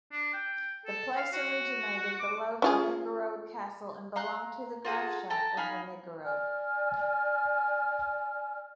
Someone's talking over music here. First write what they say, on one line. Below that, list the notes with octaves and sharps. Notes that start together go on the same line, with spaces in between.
The place originated below Wernigerode Castle and belonged to the "Grafschaft" of Wernigerode.
D4
G5
A4
F5
F#4
D6
C#4 F4 G#4
F5 A#5 C6 F#6
F4 F#4 G#4 A4
A4 G5 A5 A#5
D#4 F5 G#5 B5
D5 G#5 F6